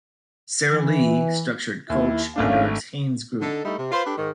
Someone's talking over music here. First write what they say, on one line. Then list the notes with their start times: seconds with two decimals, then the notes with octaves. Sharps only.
Sara Lee structured Coach under its Hanes Group.
0.72 E3
1.90 D#2 E4
2.36 G#1 A3 C#4 D4 F5
3.42 D3 D#4 A4
3.65 G3 A3 D#4 E4
3.79 C3
3.92 F4 B4 C5
4.05 D4 G4 A4 B4
4.18 G#2 D#3